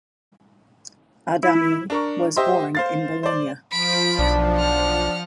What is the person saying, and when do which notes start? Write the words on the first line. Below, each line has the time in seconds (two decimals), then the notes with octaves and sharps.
Adami was born in Bologna.
1.43 E4
1.90 D4 A#4 C#6
2.36 G4 C5 D#5 E5 C6
2.75 C5 F5 A6
3.23 C5 D5
3.72 F3 B5 D7
4.19 B1 D4
4.56 F#5 F6